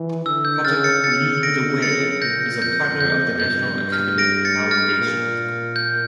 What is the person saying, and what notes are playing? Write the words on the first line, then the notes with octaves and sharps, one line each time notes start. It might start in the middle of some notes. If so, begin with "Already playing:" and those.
Project Lead the Way is a partner of the National Academy Foundation.
Already playing: E3
D3 E6
G6
C#3 F6 A6
A6 C#7
C#3 A6 C#7
D3 A#6 D7
C#3 A6 C#7
A#2 G6 A#6
F2 G6
F2 G6
G2 G6
F6
A#6 D7
A6 C#7
F6 A6
A#2
G6